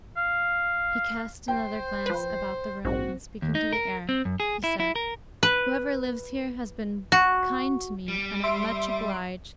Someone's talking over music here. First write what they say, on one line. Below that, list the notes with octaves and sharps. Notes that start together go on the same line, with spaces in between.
He cast another glance about the room and, speaking to the air, he said: "Whoever lives here has been kind to me, and I'm much obliged."
F5
C5 G5
F3 B4
A#1 G#2 C4 F#4
D#2
D#4
A#4
C4
F#2
G#4
E4
E4
A#4
B4
F#4
G3
E5 C6 D7